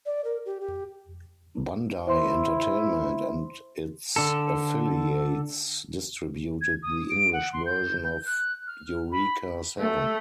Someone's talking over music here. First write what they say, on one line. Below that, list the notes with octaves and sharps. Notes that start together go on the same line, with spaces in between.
Bandai Entertainment and its affiliates distributed the English version of "Eureka Seven".
D5
A#4
G4
G4
E4 C5 C6
D3 A4
G#6
D#6
D7
F#5
C6
G6
G6
F#6
F6
B5
A3